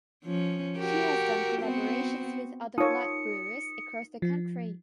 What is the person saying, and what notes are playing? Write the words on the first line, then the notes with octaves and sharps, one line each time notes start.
She has done collaborations with other Black brewers across the country.
F3 C#4
F#4 G4 A#4
B3 C4 F#4
D#4 F4 A#4 C#5 D#6 C#7
F3